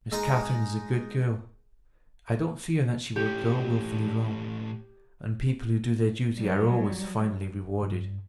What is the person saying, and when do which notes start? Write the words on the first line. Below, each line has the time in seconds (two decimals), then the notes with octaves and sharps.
Miss Catherine is a good girl: I don't fear that she will go wilfully wrong; and people who do their duty are always finally rewarded.'
0.12 G#3 D#4 A#5
3.16 A2 C#4 G4
6.36 F#3 G3
7.82 G2